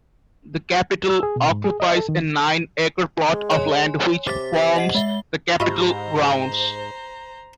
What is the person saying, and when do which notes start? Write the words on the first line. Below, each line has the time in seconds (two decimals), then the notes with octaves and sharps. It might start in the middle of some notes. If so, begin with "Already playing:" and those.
The capitol occupies a nine acre plot of land which forms the capitol grounds.
1.10 E6
1.23 G#4
1.36 B2
1.50 G#2
1.64 G#4
1.80 D#5
1.97 A4
2.09 D#3
3.33 G#3
3.51 C#5 G#5 C6
4.27 C3 D6 A6 B6
4.76 D#5 F#5 C7
4.95 G#3 E5 G7
5.60 G#2 F4 G4 C5 D#5 E5 A#5 B5